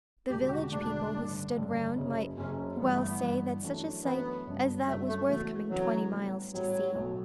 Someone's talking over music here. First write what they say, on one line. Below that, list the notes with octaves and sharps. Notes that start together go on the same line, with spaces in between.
The village people who stood round might well say that such a sight as that was worth coming twenty miles to see.
E1 D2 D3 G4
G4
F#4
E1 D2 D3 D4
A1 G2 D3
A1 G2 D3
F#1 F#2 C#3
F#1 F#2 C#3 C#4
G1 G2 E3 B3
A3
B3
G1 G2 E3
F#2 E3 A3 D4
F#2 E3 A3 B3 D4
G1 F#2 C#3 G3 D4
G1 F#2 C#3 G3 A3 D4
A3
C#3 E3 A3 B3 F#4 A4
C#3 E3 F#3 B3 F#4 A4
A1 A2 G3 B3
A1 A2 F#3 G3 B3
B1 A2 F#3 A3